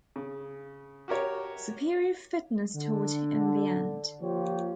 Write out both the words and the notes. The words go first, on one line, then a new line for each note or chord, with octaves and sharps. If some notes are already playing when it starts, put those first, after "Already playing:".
Superior fitness told in the end.
C#3
F#4 G4 A#4 C#5
D3
F3 A#3 F4 G4 C5 C#5